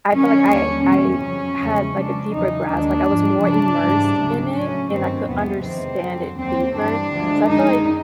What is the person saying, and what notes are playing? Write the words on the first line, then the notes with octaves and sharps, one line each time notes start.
I felt like I I had, like, a deeper grasp, like, I was more immersed in it, and I could understand it deeper. So I feel like
F#2 D#3 F#3 C#4
D#2 D3 G3
E2 B2 G3 C#4
F2 C#3 F#3
E2 C#3 F3 G#3
F#2 C#3 F3 G#3 D4
E2 C#3 F#3 D#4
D#2 D#3 G#3 D4
G#2 F3 G#3
F#2 C#3 F#3 D4
G#2 E3 G3
D2 C#3 F#3
A2 F#3 C#4
G2 D#3 F#3 C4
E2 C3 F3 G#3 B3
E2 C3 D#3 C4
F2 D3 F#3
D#2 D3 F#3 C4
G2 E3 G3 D4
D2 D3 F3 G#3
F#2 D#3 G#3 D#4